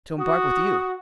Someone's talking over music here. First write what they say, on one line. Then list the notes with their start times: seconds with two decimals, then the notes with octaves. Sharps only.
"To embark with you."
0.19 F#4 D#6